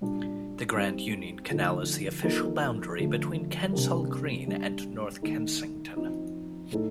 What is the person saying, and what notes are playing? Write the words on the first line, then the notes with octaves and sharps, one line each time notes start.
The Grand Union Canal is the official boundary between Kensal Green and North Kensington.
A#2 G3 D4
G3 C4 D#4 G4
D3 F3 A3 D#4 A4
F3 A#3 D#4 A4
D3 F3 A3
C3 G3 D4 G4 A#4
G3 D4 G4
D#3 A3 D#4
F3 C4 D#4
A2 A3 D#4 A4